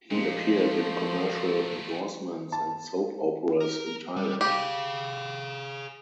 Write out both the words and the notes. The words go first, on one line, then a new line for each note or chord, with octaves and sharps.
He appeared in commercial endorsements and soap operas in Thailand.
A#2 F3 G#3 C5
D#3 A3 A4
A5
A#4
G3
G4 G#4 F5